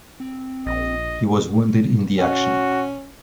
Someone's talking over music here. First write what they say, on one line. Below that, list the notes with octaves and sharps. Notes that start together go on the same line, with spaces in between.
He was wounded in the action.
C4
A#1 D#5
C#4 F#4